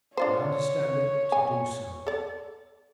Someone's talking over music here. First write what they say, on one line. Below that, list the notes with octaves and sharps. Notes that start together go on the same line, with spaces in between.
"I understand it to do so."
D4 F4 C5 C#5
G#5
A4 D5